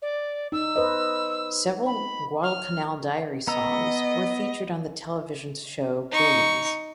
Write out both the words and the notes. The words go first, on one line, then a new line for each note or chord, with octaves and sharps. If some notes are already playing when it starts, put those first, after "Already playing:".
Several Guadalcanal Diary songs were featured on the television show Billions.
D5
D#4 E6
B4 C5 D#5
B5
F6
B3 D#5 A#5 E6
D#4 C#6